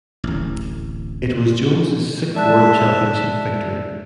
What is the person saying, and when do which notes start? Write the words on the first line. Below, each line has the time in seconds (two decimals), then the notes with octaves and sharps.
It was Jones' sixth World Championship victory.
0.24 D1 A1
2.36 G#3 D5 E5 A5 F#6